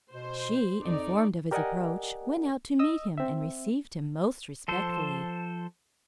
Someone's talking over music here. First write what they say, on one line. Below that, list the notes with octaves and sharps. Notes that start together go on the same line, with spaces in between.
She, informed of his approach, went out to meet him, and received him most respectfully.
B2 C5
F2 D#4 D5
G4 A#4 D5 D#5 F#5 G#5
D#5 D#6 E6
C4 E5
F3 A4 C5